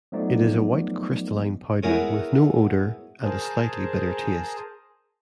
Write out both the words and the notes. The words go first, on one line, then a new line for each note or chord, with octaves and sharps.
It is a white crystalline powder with no odor and a slightly bitter taste.
F3 F#3 A3 B3 D#4 D5
B3 E4 F#4 G#4 A#4 C#5
G#4 A#4 C5 G#5 A5